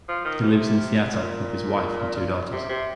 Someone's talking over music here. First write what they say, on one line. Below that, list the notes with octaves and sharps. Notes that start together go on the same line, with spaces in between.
He lives in Seattle with his wife and two daughters.
F3
D#3
C3
A#2
C3
C3